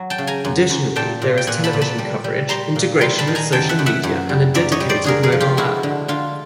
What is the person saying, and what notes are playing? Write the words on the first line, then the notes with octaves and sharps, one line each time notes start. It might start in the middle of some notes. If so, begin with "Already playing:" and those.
Additionally there is television coverage, integration with social media, and a dedicated mobile app.
Already playing: F#3
G5 A5
C#3
G#5 A#5
F#2
F#2
A#2 G5 A5
A#2
G5
A#2 F#5 G#5
A5 B5
A#2
A5 B5
G3
G3
G3 A#5 C6
A#2
G3 A#5 C6
A5 B5
D#3
G#5 A#5
F#2 G5 A5
E5 F#5
F#2
E5 F#5
F#2
G3
F#2 D5 E5
C#5 D#5
G3
C5 D5
D3 G#4 A#4
G#4 A#4
F3
F4 G4
G#3 E4 F#4
D3
D3 F4